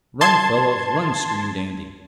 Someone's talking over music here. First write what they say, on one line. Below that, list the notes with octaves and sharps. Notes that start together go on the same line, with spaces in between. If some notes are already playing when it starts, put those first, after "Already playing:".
"Run fellows, run!" screamed Andy.
A5 C6 G#6